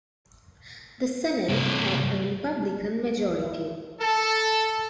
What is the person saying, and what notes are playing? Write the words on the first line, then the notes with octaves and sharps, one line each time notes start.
The Senate had a Republican majority.
G2 C3
A4